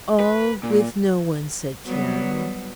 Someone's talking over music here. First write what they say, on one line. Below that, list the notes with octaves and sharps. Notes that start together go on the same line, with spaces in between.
"Oh, with no one," said Carrie.
B4
A#2
F#3 G3 B3